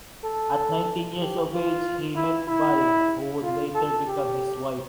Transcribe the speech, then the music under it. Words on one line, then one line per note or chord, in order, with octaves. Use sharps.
At nineteen years of age he met Val, who would later become his wife.
A4
G4
F4
E4
E4
F4
A4
G4